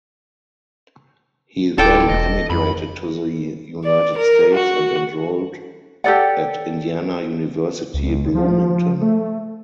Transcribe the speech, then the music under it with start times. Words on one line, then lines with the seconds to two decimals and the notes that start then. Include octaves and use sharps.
He then emigrated to the United States and enrolled at Indiana University Bloomington.
1.78 D1 E4 F4 A4 G5 D6
2.09 E1 D#5
2.50 F2 B5
3.84 D5
4.18 A#4
4.55 F#4
6.04 G4 A4 D5 F#5
7.94 C#2
8.35 F3
9.01 A3